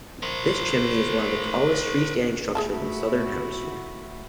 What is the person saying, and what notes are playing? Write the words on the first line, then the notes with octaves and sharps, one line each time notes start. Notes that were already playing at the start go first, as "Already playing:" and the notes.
This chimney is one of the tallest free-standing structures in the Southern Hemisphere.
A#4 C5
A3 E4 F#4 G#4 E5 A5